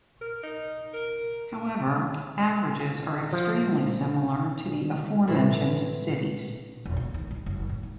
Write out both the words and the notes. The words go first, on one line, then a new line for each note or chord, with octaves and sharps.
However, averages are extremely similar to the aforementioned cities.
A#4
D#4
A#4
F3
A2 E3 C4
E1
D2
D#3
G2
F#1
A1
D#3